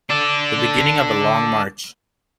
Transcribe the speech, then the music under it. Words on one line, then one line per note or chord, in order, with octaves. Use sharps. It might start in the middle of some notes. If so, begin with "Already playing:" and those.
The beginning of a long march.
D4 A4